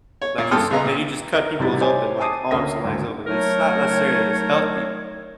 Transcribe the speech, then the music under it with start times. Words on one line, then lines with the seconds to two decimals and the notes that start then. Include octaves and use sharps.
Like, just and you just cut peoples open like, arms and legs open, it's not, necessarily as healthy.
0.22 C#5
0.38 A#2
0.51 G2 A4 G5 C6 D#6 F6
0.70 A#1 C#3 B3 D#5 A#5 E6
0.85 A#2
1.35 A#4
1.59 A1 C3 G3 D#4 E4 A6
1.80 G4 C5 C#5 D#5 G5 G#5
2.20 G#5 A5 D6 D#6 C7 D#7
2.51 D2 A#3 C#4 E5 D#6 A#6
2.85 G#1 D2
3.25 F#3 A3 D#4 A#4 C#5